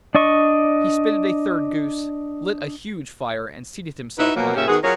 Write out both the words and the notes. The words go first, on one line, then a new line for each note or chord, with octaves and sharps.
He spitted a third goose, lit a huge fire, and seated himself by it.
D4 D5 D#5 C#6
D#4 E4 F#4 B4 E5
B2 F3 F#3 A#3
A#2 C#3 C#4 G4 E5
D#3 B3 F#4 G#4
F#3 F4 G#4 A#4 C#5